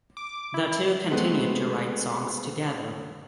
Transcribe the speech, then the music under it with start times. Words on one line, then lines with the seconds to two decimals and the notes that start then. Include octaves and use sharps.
The two continued to write songs together.
0.17 D6
0.54 E4
1.11 G#3 A3 B3 C4 F#4